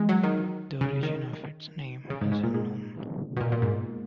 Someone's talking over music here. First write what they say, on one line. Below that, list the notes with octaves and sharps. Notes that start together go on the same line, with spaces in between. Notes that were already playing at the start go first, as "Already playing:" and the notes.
The origin of its name is unknown.
Already playing: E3 G#3
F#3
D#3
C#3
D#3
C#3
G#2
G#2
A#2
G#2
B2
A#2
A#2
G#2